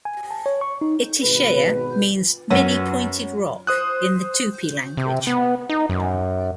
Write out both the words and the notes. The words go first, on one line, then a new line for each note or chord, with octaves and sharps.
Itatiaia means "many-pointed rock" in the Tupi language.
G#5
A5
C#5
C#6
D#4
G#1 B2 B4
F#2 C#4 F#4 B4
C5 D#6 F#6
C3
B3
D#4
F#2